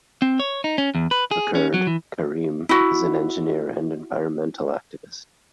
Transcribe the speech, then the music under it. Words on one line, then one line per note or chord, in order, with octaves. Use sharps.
A Kurd, Karim is an engineer and environmental activist.
C4
C#5
D#4
C#4
E2
B4
G#4
C#4
F#3
E3
E4 F#4